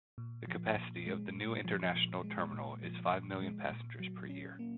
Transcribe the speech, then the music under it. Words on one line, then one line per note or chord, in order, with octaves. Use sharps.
The capacity of the new international terminal is five million passengers per year.
A#2
F3
A#2
G#3
A#2
F3
A#2
G#3
A#2
F3
A#2
G#3
A#2
F#3
C#4
A#3